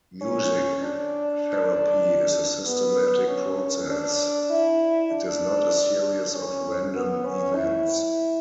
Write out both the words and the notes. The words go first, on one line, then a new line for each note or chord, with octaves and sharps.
Music therapy is a systematic process; it is not a series of random events.
C#4
D4
B3
C#4
D4
E4
D4
C#4
B3
C#4
E4